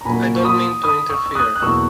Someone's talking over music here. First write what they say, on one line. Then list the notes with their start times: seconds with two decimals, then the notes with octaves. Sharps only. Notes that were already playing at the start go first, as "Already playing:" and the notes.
I don't mean to interfere.
0.01 A#5
0.05 A#2 F#3 A#3 G#5 B5
0.35 C#6
0.44 B5 D#6
0.83 B5 D#6
1.09 C#6 E6
1.26 E6
1.35 D#6 F#6
1.55 F#6
1.62 E2 B2 F#3 A#3 C#6 E6